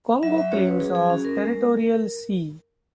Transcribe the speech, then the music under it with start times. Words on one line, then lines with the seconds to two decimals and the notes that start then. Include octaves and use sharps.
Congo claims of territorial sea.
0.23 F#3 E5
0.38 E5
0.52 C#4 F#4 C#5
0.67 B4
0.80 F#3 G#4
0.95 G#4
1.10 C#4 F#4 G#4
1.25 A#4
1.38 G#3